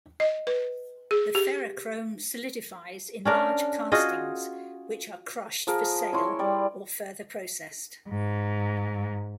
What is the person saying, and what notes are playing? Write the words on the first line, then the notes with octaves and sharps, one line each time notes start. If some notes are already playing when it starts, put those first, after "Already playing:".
The ferrochrome solidifies in large castings, which are crushed for sale or further processed.
D#5
B4
G#4
G4
C#4 D4 A#4
F4 F#4 G#4 D#5
F3 G#4 A#4
E4 C#5 C6
G3 D5
G#2